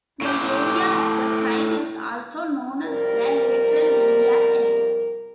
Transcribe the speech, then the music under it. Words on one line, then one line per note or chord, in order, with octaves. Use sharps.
The area of the side is also known as the lateral area, "L".
A2 G4
F2 C3 G3 A#4